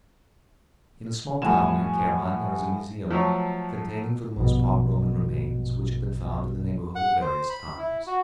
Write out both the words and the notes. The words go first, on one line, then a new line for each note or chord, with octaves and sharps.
In a small town near Caermaen there is a museum, containing for the most part Roman remains which have been found in the neighbourhood at various times.
A2 F3 G3 F#5 G#5 E7
F3 F#3 A3 C#5
A#1 G2 B2
F#5
C5
B5
E4
F#4